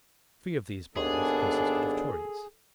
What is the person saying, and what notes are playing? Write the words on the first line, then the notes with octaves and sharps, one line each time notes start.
Three of these bodies consisted of Tories.
G#1 D#2 B3 D4 G#4 A4